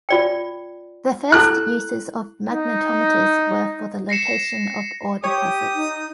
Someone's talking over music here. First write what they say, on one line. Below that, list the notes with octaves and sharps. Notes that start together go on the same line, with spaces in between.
The first uses of magnetometers were for the location of ore deposits.
F4 D5 G5
E4 A4 A#5 F#6
D#4
A#6 C7 C#7 E7
G4 C#5 D#6
D#4